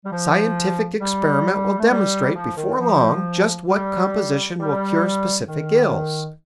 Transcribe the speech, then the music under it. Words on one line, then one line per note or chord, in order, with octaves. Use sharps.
Scientific experiment will demonstrate before long just what composition will cure specific ills.
G3
F3
G3
A3
G3
F3
D#3
F3
G3
G3
D#3